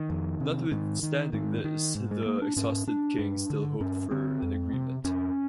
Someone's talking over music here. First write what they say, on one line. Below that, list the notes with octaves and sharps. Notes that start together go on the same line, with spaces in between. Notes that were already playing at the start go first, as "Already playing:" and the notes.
Notwithstanding this, the exhausted king still hoped for an agreement.
Already playing: D#3
F2
C3
G#2 D#3
D#3
G#2 D#3
D#3
G#2
G#3
A#3
D4
G#2 C#4
D4
G2
D3
G2 C#4
D3 C4
F2
C3
F2 C#4